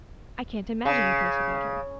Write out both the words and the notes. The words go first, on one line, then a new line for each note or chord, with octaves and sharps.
I can't imagine the place without her.
C#3